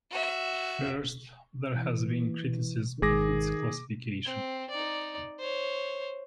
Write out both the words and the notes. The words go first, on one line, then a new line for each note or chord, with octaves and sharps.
First, there has been criticism of its classification.
F#4 E5
E3
G#1 G#2 D#3 G#4 D6 A#6
C4
D#4 D5
C5 C#5